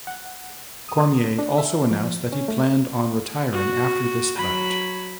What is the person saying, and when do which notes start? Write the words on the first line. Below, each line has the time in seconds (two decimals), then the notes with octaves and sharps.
Cormier also announced that he planned on retiring after this bout.
0.07 F#5
0.89 D#6
1.39 D4
1.58 E5
1.91 F3
2.32 C#4
2.48 A3
3.52 F#4
4.36 F#3 B5